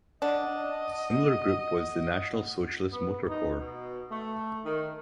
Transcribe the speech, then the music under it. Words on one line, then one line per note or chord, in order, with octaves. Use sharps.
A similar group was the National Socialist Motor Corps.
D4 D#5 F#5
B3
D#4
B2
A3
D#3